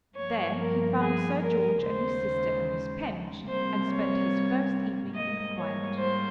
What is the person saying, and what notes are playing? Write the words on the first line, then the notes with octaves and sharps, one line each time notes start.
There he found Sir George and his sister and Miss Penge, and spent his first evening in quiet.
G2 F3 A#3 C#5
A#4
G#4
A#4
D#2 C#3 G#3 C5
C3 G3 A#3 C5
C#5
G#2 G3 A#3 D#5
C#5
C5